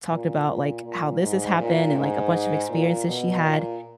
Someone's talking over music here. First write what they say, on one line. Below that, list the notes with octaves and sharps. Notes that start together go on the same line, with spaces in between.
talked about, like, how this has happened and, like, a bunch of experiences she had.
A#2
A#2
A#2
G#2
A#2
G#2
A#2
B2
A#2